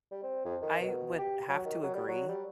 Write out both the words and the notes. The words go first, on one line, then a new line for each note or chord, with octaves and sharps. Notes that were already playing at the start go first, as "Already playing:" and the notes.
I would have to agree
G3
C4
F2
D#3
B2
G4
F#3
D#3
F#3
G3
F#3
G3